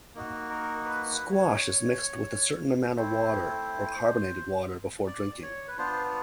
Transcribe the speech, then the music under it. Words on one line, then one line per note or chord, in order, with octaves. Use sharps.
Squash is mixed with a certain amount of water or carbonated water before drinking.
A#3 D#4 F#4
A#4
B4
B4
C#5
A3 C4 E4 C5
D5
C#5
B4
B3 D4 F4 C5